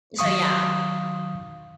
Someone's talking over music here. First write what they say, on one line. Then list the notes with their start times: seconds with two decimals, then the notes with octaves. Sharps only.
so yeah.
0.19 D#3 F#3 F5 C#6 D#6